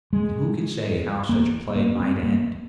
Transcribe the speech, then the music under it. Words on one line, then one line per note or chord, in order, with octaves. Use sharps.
And who could say how such a play might end?
G#3
A#3
A#3
C4
A#3